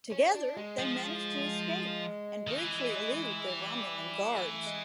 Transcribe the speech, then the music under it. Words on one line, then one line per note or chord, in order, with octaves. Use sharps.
Together, they manage to escape and briefly elude their Romulan guards.
C#4
D4
G#3
F3
D#3 A3
E3 G#3
G3
A3
G#3